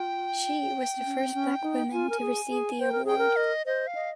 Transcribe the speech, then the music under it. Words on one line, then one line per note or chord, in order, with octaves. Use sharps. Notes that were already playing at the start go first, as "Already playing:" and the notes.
She was the first black woman to receive the award.
Already playing: F4 G5
C4
C#4
C4
C#4
D#4
F4 G#5
A#4
G#4
G#4
C5 G5
A#4
G#4 G5
A#4
D#5
C5 D#5
F5
D#5